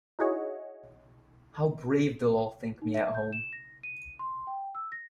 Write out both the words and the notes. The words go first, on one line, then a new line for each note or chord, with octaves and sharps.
How brave they’ll all think me at home!
D#4 E4 F#4 G#4 C#5 D#5
D#4
E5
G6
E7
A#6
D#7
C6
G5
E6
A#6